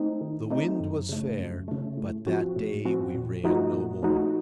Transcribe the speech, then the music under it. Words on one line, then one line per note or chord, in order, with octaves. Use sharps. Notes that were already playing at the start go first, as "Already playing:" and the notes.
The wind was fair, but that day we ran no more.
Already playing: A3 C4 D#4
D#3
A3 C4 D#4
F#2
C#3 A3
F#2
C#3 A3
A2
F3 C4 F#4
A2
F3 C4 F#4
A#2
F3 A3 D#4 F#4
A#2
F3 A3 D#4 F#4